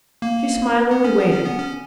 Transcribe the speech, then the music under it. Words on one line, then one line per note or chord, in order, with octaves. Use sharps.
She smilingly waited.
A#3
B3
C#4
B3
C#4
B3
C#4